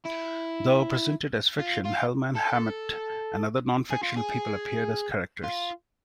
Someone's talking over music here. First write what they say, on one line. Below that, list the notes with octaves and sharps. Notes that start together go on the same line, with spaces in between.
Though presented as fiction, Hellman, Hammett, and other nonfictional people appeared as characters.
E4
F4
F4
A4
G#4
F4
G#4
F4